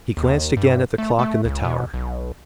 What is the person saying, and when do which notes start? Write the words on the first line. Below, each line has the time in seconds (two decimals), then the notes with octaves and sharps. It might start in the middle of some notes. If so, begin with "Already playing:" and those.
He glanced again at the clock in the tower.
0.17 D#2
0.57 G2
0.98 A3
1.19 A3
1.45 C#2
1.65 B2
1.94 B1